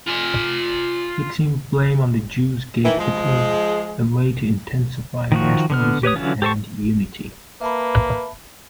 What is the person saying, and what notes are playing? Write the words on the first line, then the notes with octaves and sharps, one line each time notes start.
Fixing blame on the Jews gave Hitler a way to intensify nationalism and unity.
F4 G#5
D#3 E3
F3 G#3
D#3 F3 F#4
D3 B3 F6
G4 B4 C#5 D#6
D3 E3 F#3 C#4 F4
G4 A4 C5 A5 C#6
A#3 B4 E5 A5 B5